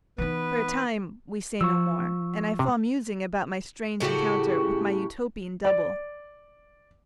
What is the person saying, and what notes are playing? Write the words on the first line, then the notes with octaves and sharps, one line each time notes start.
For a time we say no more, and I fall musing about my strange encounter with my Utopian double.
E3 B3 D#4 B4
F3 C#6 E6
C3
A2 C#3 F#4 G4
D5